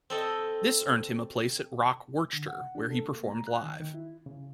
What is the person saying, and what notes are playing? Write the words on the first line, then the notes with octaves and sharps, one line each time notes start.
This earned him a place at Rock Werchter, where he performed live.
C4 A4 D#5
D3
F#5
D4
A4
A#3
A#5
F#6
D#3
D#3
E4
C#3